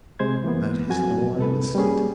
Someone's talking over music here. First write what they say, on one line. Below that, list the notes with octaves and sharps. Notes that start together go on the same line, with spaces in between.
And that is all I elicited.
C3 G#3 C5 G#6
E3 A#3 B3
F2 F#3 F#4 G#5
C2 A4 B4
G3 A#3 C#4 G#4